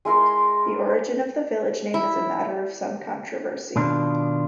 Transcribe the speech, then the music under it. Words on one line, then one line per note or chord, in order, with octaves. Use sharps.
The origin of the village name is a matter of some controversy.
G#3 E4 A#4 C6
E4
B2 D#3 D4 F4